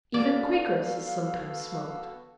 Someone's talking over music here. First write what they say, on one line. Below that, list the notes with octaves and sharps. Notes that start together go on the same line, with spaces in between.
Even Quakeresses sometimes smoked.
B3 F#4 A4 D5 F5